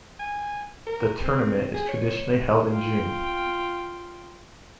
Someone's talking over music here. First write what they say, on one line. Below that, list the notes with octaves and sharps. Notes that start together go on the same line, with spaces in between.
The tournament is traditionally held in June.
G#5
A#4
C4
G#4
C#5
F4 G5